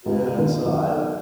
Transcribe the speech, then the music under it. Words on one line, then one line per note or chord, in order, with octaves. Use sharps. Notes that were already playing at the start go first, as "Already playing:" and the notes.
yeah, so, I, w
C#2
D#2
B1